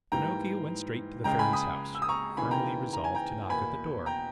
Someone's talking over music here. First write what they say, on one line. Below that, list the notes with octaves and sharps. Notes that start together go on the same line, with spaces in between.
Pinocchio went straight to the Fairy's house, firmly resolved to knock at the door.
G#2 E3 G3 A#3 G5 A#5
C#2 C#3 G#3 G5 A#5
G#5 B5
B5 D#6
E6
D#6
A#5 C#6
C#3 E3 A#3 D#4 G#5 B5
G5 A#5
A#5
G#5
G5 A#5
E2 B2 A#3 G#5 B5
G5 A#5